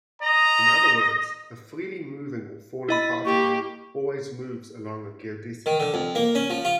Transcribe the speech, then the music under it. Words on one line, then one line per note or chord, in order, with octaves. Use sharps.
In other words, a freely moving or falling particle always moves along a geodesic.
D#5 A#5
E4 D#5 B5 A6
A#3 G4 C#6
D#3
D3
F2
A#3
C#4
F3
F4